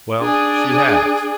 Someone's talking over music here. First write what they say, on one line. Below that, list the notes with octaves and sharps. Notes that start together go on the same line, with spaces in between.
Well, she has.
D4 G#4